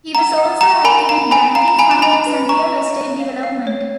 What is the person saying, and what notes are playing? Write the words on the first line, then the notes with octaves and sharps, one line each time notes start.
He was also active in banking, finance, and real estate development.
F#5 A#5
F#5
F#5 A#5
A#4 G#5 B5
F5 A#5
A#4 G#5 B5
F5 A#5
A#5
F5 G#5 B5
A#5
D#5 G#5 B5
B4
B4 A#5 C#6
D#5
C#5
F5
F5
C#5